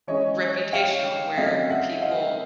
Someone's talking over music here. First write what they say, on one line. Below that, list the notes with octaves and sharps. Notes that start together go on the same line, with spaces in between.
reputational where people
E3 G#3 C#4 C#5 D#5
F5 G5
C#3 F#3 A3 C4 D#5 F5
E5 F#5
D#5 F5